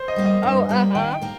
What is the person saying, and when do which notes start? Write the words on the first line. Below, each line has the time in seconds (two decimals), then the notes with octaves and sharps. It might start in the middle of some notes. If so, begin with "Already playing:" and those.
Oh, uh-huh.
Already playing: C5
0.08 D#5
0.16 G3 A#3 G4
0.26 D#5
0.43 G2
0.69 G3 A#3 G4
0.95 D#3 G5
1.22 A#3 G4 A#4